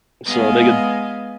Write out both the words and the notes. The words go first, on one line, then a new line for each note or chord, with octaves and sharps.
So they could
G#3 B3 B4 D#5 F5 G#5